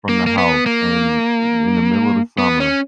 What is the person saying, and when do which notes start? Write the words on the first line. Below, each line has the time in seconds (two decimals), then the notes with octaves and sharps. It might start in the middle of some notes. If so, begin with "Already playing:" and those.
from the house, and i in the middle of the summer.
0.09 A#3
0.27 A#3
0.38 B3
0.66 A#3
2.38 B3
2.60 C#4